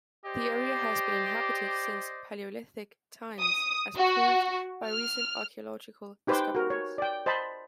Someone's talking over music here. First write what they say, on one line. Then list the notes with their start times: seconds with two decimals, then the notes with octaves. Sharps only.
The area has been inhabited since Palaeolithic times, as proved by recent archaeological discoveries.
0.25 G4 C5 D5 D#5
3.41 D#6
3.98 F#4
4.87 F6
6.27 D#4 G4 B4 C5 G5 D6
6.55 F#4 A#4
6.70 C#5
6.98 D5 G5
7.26 C5 D#5 A5 B5